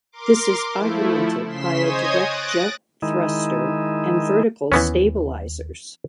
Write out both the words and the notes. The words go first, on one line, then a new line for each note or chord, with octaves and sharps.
This is augmented by a direct jet thruster and vertical stabilisers.
A#4 C6 D6
F3 A3 E4
C#3 C6 B6 E7
C5 C#5 D#5 G#5 D#6 G#6
D#6 F#6 A6 A#6 D7
D#3 G#3 D#4 E4
D#2 E3 B3 C#4